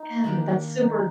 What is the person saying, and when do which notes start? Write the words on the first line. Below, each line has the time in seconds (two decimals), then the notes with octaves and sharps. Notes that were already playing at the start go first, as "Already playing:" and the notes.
Yeah, that's super
Already playing: D#4
0.24 D#3 A#3 D4 G4
0.80 D#4